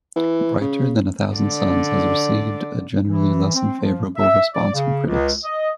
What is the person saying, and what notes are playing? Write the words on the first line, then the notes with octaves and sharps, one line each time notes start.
"Brighter Than a Thousand Suns" has received a generally less-than-favourable response from critics.
E3
C#3
D3 D5
E3
C4
F3
E5
D5
C#3
C#2
D#5